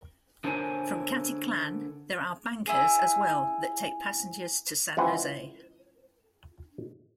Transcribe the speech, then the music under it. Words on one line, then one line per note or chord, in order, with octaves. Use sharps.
From Caticlan, there are bancas as well that take passengers to San Jose.
D3 D4 A#4 C5 C#5 G#5
E4 G#4
C#2 E3 C4 F#5 G#5